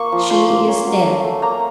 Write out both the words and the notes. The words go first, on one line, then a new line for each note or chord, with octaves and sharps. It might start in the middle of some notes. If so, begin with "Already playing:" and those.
She is dead.
Already playing: A#3 C#6
F3
F3 C6
A#3
C#4
F#3
A3
A3
A#3 A#5